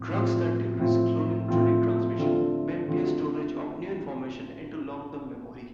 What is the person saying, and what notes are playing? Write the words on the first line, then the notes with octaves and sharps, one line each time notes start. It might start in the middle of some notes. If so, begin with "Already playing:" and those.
Drugs that decrease cholinergic transmission may impair storage of new information into long-term memory.
Already playing: A2 F3 C4
A2 F3 C4 F4
A2 F3 C4 F4
A2 F3 C4 F4
D3 A3 C4 F4
D3 A3 C4 F4